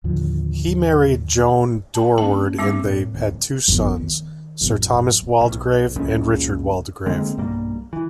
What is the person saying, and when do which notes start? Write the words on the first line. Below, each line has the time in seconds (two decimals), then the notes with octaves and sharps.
He married Joane Doreward and they had two sons-Sir Thomas Waldegrave, and Richard Waldegrave.
0.04 D#2 A2 D3 F3
1.95 A5
2.18 A#3 C#4 A5
2.59 G3 C4 D6
2.85 A2
3.14 D1
3.68 G1 F2
3.96 D#3
4.61 A1 F#2
5.41 B1
5.96 C#2 F#2 A#2 C#3
7.06 D3 G#3 A#3 C4
7.37 B1 G2 G3 A#3
7.93 E3